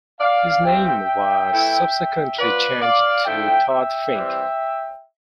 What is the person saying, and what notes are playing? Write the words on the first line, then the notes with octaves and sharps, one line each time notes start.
His name was subsequently changed to Todd Fink.
D5 F5
E3 G3 C4 F4 E5 G5
E3 A3 E4
F3 B3 F4 B4 D5
D5 F5
D3 F3 A3 E4 E5 G5
E5 G5
E3 G3 C4